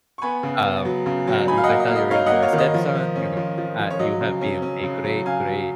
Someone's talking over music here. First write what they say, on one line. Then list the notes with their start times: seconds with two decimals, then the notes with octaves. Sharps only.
Um, uh, "You I thought you were gonna be my stepson," you know, uh, "you have been a great, great
0.18 C#6
0.22 B3 G#5 B5
0.43 C#3
0.64 B3
0.85 F#3
1.06 C#3
1.27 F#3
1.48 D#4 G#5 B5
1.58 F5
1.64 A#3 D#5 F#5
1.80 D#5
1.88 F5
1.90 A#3
1.95 D#5
2.11 D#4 C#5 F5
2.26 D#5 F#5
2.32 A#3
2.42 C#5 F5
2.53 D#3
2.58 D#5
2.74 F3
2.95 F3
3.15 C#4
3.37 F3
3.58 F3
3.79 F3
3.91 C#5
3.99 F#3 D#5
4.21 C#3
4.41 C#4
4.62 C#4
4.83 C#3
5.04 F#3
5.25 C#3 F5 G#5
5.47 F#3